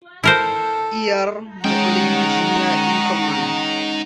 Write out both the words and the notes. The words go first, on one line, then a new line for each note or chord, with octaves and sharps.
E. R. McLean, Junior in command.
E4 A4 A#4 C5
G#3 C#4 D#4 F#5 G5 A#5 C#6